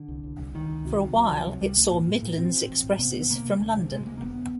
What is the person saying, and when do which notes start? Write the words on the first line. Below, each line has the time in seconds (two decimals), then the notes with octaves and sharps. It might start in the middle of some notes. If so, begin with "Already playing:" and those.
For a while it saw Midlands expresses from London.
Already playing: D3
0.08 C2
0.24 C2
0.38 C2
0.54 C#2 D#3
0.69 C#2
0.85 C3
1.01 C3
1.15 C#2 F#3
1.31 C#2 F3
1.46 C3 F#3
1.61 C#2 G3
1.77 A1 A#3
1.92 A2
2.07 A2
2.22 A2
2.38 A2 C4
2.53 A2
2.69 A1
2.83 A2
2.99 C3 B3
3.14 D2
3.30 C3 A#3
3.45 C3
3.60 D2 A3
3.76 C3 G3
3.86 A3
3.92 C3 G#3
4.06 D2 A#3
4.18 A#3
4.22 F1 B3